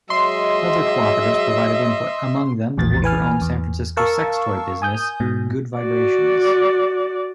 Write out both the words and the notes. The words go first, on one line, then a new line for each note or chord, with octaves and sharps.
Other cooperatives provided input, among them the worker-owned San Francisco sex-toy business Good Vibrations.
F#3 G#3 D#5 E5 C6
A#1 E2 A2 A6
E3 B4 G#5 F6
E2
A#4 F5 A5 C#6 E6
G#5 D#6 G6
G#2 B2
F#4 D5